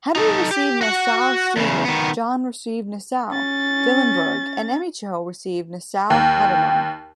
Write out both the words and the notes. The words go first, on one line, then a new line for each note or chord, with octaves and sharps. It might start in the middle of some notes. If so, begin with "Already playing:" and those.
Henry received Nassau-Siegen, John received Nassau-Dillenburg and Emicho I received Nassau-Hadamar.
D#4 A4
G4
F#4 F#5
E2 C#3
D#3 B3
C#4 A6
D#2 G5